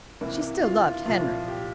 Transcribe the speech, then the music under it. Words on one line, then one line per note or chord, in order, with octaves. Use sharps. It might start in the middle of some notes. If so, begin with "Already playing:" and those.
She still loved Henry.
C2 C3 E3 A#3
F4
C2 A#2 F3 F4
G4